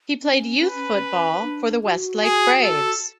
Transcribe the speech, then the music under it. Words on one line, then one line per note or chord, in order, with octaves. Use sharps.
He played youth football for the Westlake Braves.
C#4
B4
D4
F#4
G#4
A4